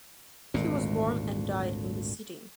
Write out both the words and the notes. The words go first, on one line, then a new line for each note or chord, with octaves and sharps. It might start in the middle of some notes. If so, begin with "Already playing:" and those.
He was born and died in the city.
G#1 D2 A#2